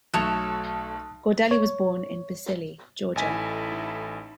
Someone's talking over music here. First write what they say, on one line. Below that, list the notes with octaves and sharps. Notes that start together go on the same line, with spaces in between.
Gordeli was born in Tbilisi, Georgia.
B1 A3 F#4 A4 C#5 A5 D#6 F#6
C#5
A1 D#4 E4 A4 G#5 B6